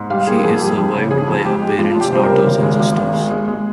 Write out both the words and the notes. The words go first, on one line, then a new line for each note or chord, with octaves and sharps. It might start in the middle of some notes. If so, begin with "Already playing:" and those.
She is survived by her parents, daughter, and sister.
Already playing: G#2
G3 F5
A#3 G#4
F2 G#4
G3
F2
C#3
F2 G#4
F2
G#3 G4
G#3
F2 F4
F1 G4
G3 C5
A#4
C#3
G#1
G#3
G#1
G#1
G#3
G#3
G#3